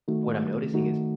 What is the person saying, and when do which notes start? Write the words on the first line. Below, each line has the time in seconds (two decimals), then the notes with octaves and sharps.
what I'm noticing is,
0.08 D#3 A3 D#4 F#4
0.74 D#3 A3 D#4 F#4